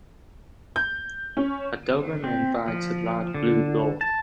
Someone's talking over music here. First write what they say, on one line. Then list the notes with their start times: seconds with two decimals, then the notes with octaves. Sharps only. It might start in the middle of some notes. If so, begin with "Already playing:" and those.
A doberman bites a large blue ball.
0.76 G6
1.37 C#4
2.24 C4
2.68 F3
3.34 D3
4.01 A5